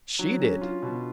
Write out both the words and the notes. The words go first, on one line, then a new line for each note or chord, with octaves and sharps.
"She did."
F#3 D4
C#4
F4
B2